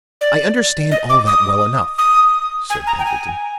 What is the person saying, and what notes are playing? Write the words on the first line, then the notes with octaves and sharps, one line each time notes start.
"I understand all that well enough," said Pendleton.
D5
D#5
D6
D#6
D#6
G#5
A#5
G5
G#5